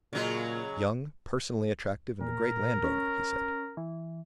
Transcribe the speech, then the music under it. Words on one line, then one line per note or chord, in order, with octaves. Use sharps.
"Young, personally attractive, and a great landowner," he said.
A#2 C#3 F#3 G#3
A#2 A#4
C#4
E3